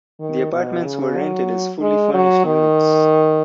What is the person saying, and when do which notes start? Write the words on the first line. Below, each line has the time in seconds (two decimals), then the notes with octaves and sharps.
The apartments were rented as fully furnished units.
0.20 D#3
0.53 B2
0.85 C#3
1.17 F#3
1.81 G#3
2.14 F#3
2.46 D#3